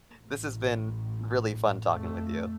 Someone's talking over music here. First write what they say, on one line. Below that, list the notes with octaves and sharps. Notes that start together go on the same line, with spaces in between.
this has been really fun talking with you.
A1
F2 A3